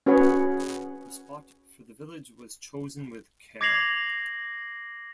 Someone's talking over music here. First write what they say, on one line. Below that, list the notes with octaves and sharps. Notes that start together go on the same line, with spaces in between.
The spot for the village was chosen with care.
C#4 F#4 G#4 B4 C#5 F#5
D6 G#6 A#6 C7 F7 F#7